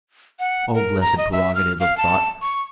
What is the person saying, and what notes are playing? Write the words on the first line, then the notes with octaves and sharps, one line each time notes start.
O blessed prerogative of thought!
F#5
A#4
A#5
D#5
E5
F6
F5
A5
C#6